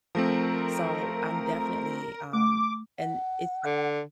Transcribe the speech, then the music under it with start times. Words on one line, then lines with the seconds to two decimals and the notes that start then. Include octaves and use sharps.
So, I'm definitely, um and it's like
0.15 F3 A3 C4 A#4
2.33 A3 D6
2.99 F#5
3.65 D3